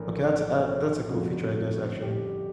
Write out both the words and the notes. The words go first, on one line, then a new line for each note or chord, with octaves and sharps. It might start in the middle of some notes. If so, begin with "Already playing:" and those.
Okay, uh, that's a that's a cool feature, I guess, actually.
Already playing: A#1 A2 E3 A#4
A4
G1 F2 C#3 F#4
G4